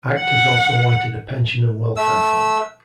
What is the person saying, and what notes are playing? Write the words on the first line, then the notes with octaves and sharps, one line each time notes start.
Actors also wanted a pension and welfare fund.
F#5
A3 E6